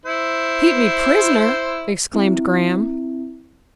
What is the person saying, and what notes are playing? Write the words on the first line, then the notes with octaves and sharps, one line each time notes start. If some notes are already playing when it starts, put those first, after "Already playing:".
"Keep me prisoner!" exclaimed Graham.
E4 C5
C4 E4